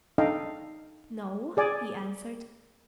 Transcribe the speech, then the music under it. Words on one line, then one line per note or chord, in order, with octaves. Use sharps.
"No," he answered.
D4 D#4 A4 D#5 F5 G5
G#4 D5 G#5